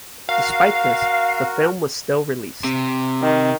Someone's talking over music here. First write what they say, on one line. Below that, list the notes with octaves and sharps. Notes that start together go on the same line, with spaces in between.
Despite this, the film was still released.
F#4 A#4 F5
C3
D#3